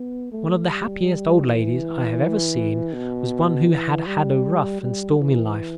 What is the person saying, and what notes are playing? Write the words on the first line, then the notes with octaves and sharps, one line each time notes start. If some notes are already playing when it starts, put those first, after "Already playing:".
One of the happiest old ladies I have ever seen was one who had had a rough and stormy life.
Already playing: B3
A3
G3
E3
B2
E3
G3
G3
E3